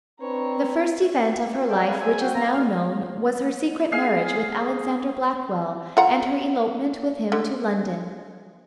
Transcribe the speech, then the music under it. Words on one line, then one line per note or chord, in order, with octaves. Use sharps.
The first event of her life which is now known, was her secret marriage with Alexander Blackwell, and her elopement with him to London.
C4 D4 B4 C#5 A#5
A4 D5 G5
G4 B4 E5 F5 G#5
C4 G#4 C5 D5 E5 G#5
F#4 G5
F4 E5 F5 A#5
D2 A#2 F6
G#4 F5 G#5
F4 F#5 A#5
D3